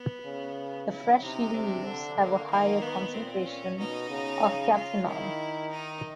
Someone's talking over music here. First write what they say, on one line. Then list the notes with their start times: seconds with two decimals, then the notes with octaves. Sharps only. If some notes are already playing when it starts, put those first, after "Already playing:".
The fresh leaves have a higher concentration of cathinone.
Already playing: B3
0.26 C#3
0.90 E4
1.22 C3 D#4
1.53 C3 D4
1.86 D3
2.18 A#3
2.50 D#3 A#3
2.82 B3
3.13 A#2 C4
3.45 C#4
3.78 B2 D#4
4.10 C#3
4.74 F4
5.06 D#3 E4
5.71 D#4